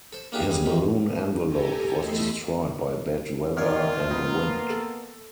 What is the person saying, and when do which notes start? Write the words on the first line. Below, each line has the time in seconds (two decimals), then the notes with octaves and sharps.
His balloon envelope was destroyed by bad-weather and wind.
0.13 A4 C5
0.32 A#3 D4 F4 G4 G#4
0.47 D#2 D3 G3 G#4
0.64 E2 G#2 C3 D#3
1.48 G4 A4 G#5 A#5
1.99 E2 A3 A4 D#5 B5 C6
3.57 F#2 A#2 D#3 F4 C#5 F6
4.11 F2 A#3 B3 D#4
4.70 A4